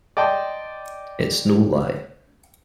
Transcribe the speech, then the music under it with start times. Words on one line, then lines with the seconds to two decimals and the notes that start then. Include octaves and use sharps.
It's no lie.
0.17 D5 D#5 G5 A5 C6